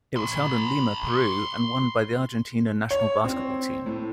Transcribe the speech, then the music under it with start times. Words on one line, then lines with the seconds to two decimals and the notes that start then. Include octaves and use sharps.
It was held in Lima, Peru and won by the Argentina national basketball team.
0.16 B5 C6
2.91 C#5
3.24 C4
3.86 A2